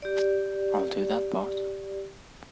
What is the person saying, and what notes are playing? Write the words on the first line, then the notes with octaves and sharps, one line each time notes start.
I'll do that part.
G4 D5